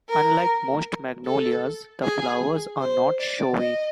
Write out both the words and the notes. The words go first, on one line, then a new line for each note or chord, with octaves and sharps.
Unlike most magnolias, the flowers are not showy.
A#4
A4
G#4
C5
D5
D#5